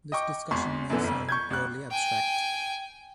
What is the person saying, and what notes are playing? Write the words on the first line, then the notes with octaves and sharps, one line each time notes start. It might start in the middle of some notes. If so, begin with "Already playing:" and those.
This discussion may sound purely abstract.
D#5 G5 C#6 D6
G#1 E2 C6 C#6
F#2 B2 D3 E3
G1 F2
C#6 G6 G#6
A1 F#6
G5 G#5